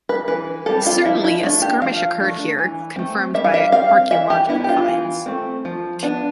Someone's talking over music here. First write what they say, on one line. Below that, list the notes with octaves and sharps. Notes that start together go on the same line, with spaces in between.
Certainly a skirmish occurred here, confirmed by archaeological finds.
B4
E3 B4
G3 C4 A4
F4
F3 E4
E4
A3 D4 F4
G4
F3 F5
A3 D4
E3
A3 C4
G3 E5
F5
E5
C4 F5
E3 E5
G4
B3 D4 E4
G4
F4
E3
A3 C4
F3
B3 D4